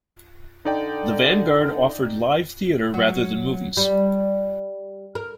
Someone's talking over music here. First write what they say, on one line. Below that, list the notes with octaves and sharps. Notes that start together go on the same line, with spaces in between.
The Vanguard offered live theater rather than movies.
D3 D#4 D5 G5
F#3
G3
A#4